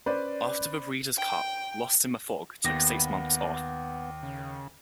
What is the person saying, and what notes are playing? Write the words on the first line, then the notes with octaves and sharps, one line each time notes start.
After the Breeders' Cup, Lost in the Fog took six months off.
C#4 B4 C5 D5
G5
D#2 B3 A#6
C#3